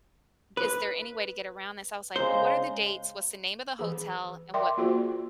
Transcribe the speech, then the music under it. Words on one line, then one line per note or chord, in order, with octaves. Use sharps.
is there any way to get around this?" I was like, "Well, what are the dates? What's the name of the hotel? And what"
B4
C#3 G#3 C5 A#5
E3 G#4
A#4 D5 E5 G5 C6 D6
A#3 F4 F#4 G#4 C5